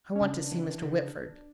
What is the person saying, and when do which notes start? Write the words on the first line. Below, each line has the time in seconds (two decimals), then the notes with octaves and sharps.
"I want to see Mr. Whitford."
0.15 C#4
0.21 C#3 D4
0.52 E3
0.82 C#3